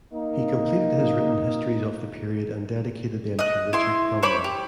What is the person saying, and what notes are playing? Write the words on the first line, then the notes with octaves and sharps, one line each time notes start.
He completed his written histories of the period and dedicated them to Richard Cromwell.
A#3 D#4
D#5 F#6
E4 C6
C5 C#5 B5 D6
G4